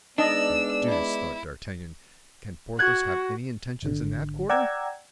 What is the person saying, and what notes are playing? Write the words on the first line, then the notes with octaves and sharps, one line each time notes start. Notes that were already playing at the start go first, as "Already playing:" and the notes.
"The deuce," thought D'Artagnan, "can Porthos have any intentions in that quarter?"
G#3 B3 D4 D#4 D5 D#5 A5 E6
E4
F#4 F#6 G#6
G#1 D3
D5 F#5 G5 A#5 E6 G#6